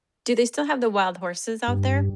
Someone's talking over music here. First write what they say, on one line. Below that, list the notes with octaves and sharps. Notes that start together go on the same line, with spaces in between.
do they still have the wild horses out there?
G2